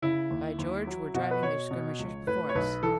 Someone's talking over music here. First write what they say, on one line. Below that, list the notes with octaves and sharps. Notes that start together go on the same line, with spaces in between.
By George, we're driving their skirmishers before us!
C#3 E4
D#2
D#2
F#3
B2 F#4
B4
B2 C#5
B2
C#2
A2 B4
C#5
B1 B4
E3 A4